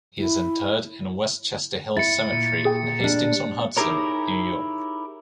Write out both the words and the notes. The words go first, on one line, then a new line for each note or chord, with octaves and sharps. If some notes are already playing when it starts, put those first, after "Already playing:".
He is interred in Westchester Hills Cemetery in Hastings-on-Hudson, New York.
E4
E4 A6 C#7
A#2
G#4 G5
G3 D4
D#4 E4 G4 G#4 A#4 C#5